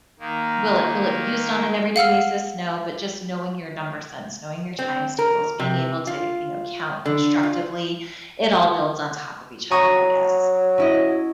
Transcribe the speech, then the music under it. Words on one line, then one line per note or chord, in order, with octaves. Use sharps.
will it will it be used on an everyday basis? No, but just knowing your number sense, knowing your times tables, being able to, you know, count constructively, it all builds on top of each other, I guess.
D#3 A#3
F5 F#5 E6 F6
C4
A#4
C3
F4
D3
F4
F#3 A#5 C#6 D#6
C#4 E4 D#5